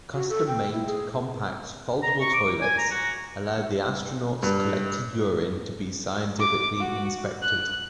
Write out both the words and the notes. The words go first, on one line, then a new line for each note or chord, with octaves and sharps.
Custom-made, compact, foldable toilets allow the astronaut's collected urine to be scientifically inspected.
F#4
A4
G5
E4
G#4
A#5
C#6
D6
G#5
A#5
F#4
G2
D6
F#4
F#6